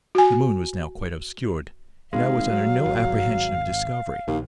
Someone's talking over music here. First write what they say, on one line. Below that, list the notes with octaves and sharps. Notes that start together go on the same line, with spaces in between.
The moon was now quite obscured, and I was under no apprehension of discovery.
F#4 G#5
G#1 G#3 F5
F#3
G#1
A#1 D#2